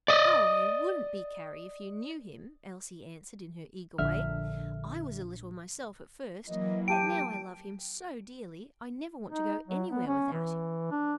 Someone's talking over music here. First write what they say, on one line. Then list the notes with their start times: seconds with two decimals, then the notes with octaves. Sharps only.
"Oh! you wouldn't be, Carry, if you knew him," Elsie answered, in her eager way; "I was a little myself, at first, but now I love him so dearly, I never want to go anywhere without him."
0.08 D5 D#5
3.98 A#1 D3 E5 F6
6.48 E3 F#3 A#3 D#5
6.88 G4 G5 A5 D7 D#7
9.29 D#4
9.68 F#3
9.91 B3
10.07 C#4
10.32 E3
10.91 D4